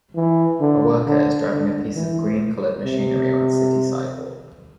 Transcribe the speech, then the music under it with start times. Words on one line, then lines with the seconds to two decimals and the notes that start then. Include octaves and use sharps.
A worker is driving a piece of green colored machinery on a city sidewalk.
0.16 E3
0.61 D3
1.07 D3
1.51 D3
1.96 E3
2.85 C3